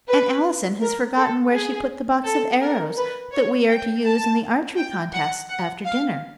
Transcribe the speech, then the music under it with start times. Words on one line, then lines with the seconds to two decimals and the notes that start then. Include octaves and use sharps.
Aunt Allison has forgotten where she put the box of arrows that we are to use in the archery contest after dinner.
0.09 B4
0.81 A#4
1.17 A4
1.53 G#4
2.25 A4
2.61 A#4
2.97 B4
3.33 C#5
3.69 G5
4.05 A5
4.77 G5
5.13 F#5
5.49 F#5
5.85 F5